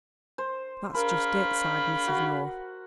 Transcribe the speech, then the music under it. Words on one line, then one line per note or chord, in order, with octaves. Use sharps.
"That's just it," sighed Mrs. North.
C5
A#4 F5 B5
F#4